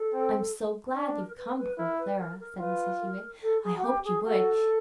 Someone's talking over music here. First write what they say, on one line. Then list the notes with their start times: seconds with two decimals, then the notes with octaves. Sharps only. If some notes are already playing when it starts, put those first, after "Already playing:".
'I'm so glad you've come before Clara,' said Mrs. Hewett. 'I hoped you would.
Already playing: A4
0.13 C4
0.95 D4
1.16 A#4
1.37 B4
1.58 B4
1.78 E4 A#4
1.99 B4
2.19 A#4
2.40 A#4
2.60 F4 B4
3.01 A#4
3.42 A4
3.63 G#4
3.77 F#4
3.84 G4
4.05 G#4
4.26 F#4 A4